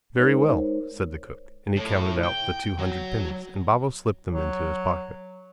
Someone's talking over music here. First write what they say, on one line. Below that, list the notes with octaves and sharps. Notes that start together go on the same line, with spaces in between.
"Very well," said the cook, and he counted out the two hundred pennies, and Babo slipped them into his pocket.
G#3 D#4 A#4 C5 C#5
A2
G5
F#3
F#3